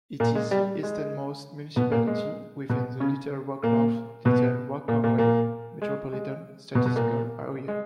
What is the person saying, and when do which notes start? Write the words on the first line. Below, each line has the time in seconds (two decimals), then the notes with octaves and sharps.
It is the easternmost municipality within the Little Rock-North Little Rock-Conway Metropolitan Statistical Area.
0.20 A#2 A#3
0.35 G#3
0.51 G3
0.83 G#3
1.76 B2 B3
1.92 A#2 A#3
2.07 G#3
2.69 B2 B3
3.00 C#3 C#4
3.63 A#2 A#3
4.25 B2 B3
4.88 A#2 A#3
5.04 A#2 A#3
5.18 A#2 A#3
5.82 G#3
6.13 G#3
6.75 B2 B3
6.86 B2 B3
6.96 A#2 A#3
7.68 G#3